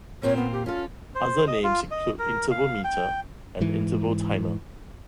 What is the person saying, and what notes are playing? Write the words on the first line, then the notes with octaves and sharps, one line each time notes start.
Other names include interval meter and interval timer.
A#2 C4 F4 C#5
B3
G4
C#4 F4 A4
C5
D#5
F4
D#5
A#4
F5
G5
G#2 E3